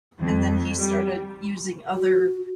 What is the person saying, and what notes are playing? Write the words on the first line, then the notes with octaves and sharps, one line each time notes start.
and then he started using other
F2
G3
F#4